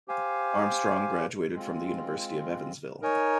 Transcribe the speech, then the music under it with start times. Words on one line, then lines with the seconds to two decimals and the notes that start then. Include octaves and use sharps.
Armstrong graduated from the University of Evansville.
0.08 G4 C5 F5 G#5
1.54 G#3 C4 F4
3.02 D#4 A#4 C#5 G#5